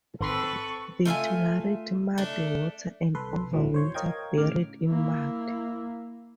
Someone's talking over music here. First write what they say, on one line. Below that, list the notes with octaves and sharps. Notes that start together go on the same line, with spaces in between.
They tolerate muddy water and overwinter buried in mud.
G#1 C4 A4 B4 C5 C#6 C7
A3 F4 E5 G#5
A3 D4
C2 A4 B4 C6
A#1 D#2 G#2 E3 F#3
C5 C#5 C6
A#4 C#5 D#5 F5 G5 G#6
A2 C#3 D6 F6
A#3 E4